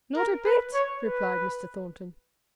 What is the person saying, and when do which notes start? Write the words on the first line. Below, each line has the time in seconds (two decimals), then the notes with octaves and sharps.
'Not a bit,' replied Mr. Thornton.
0.16 A#4
0.45 B4
0.74 C#5
1.03 B4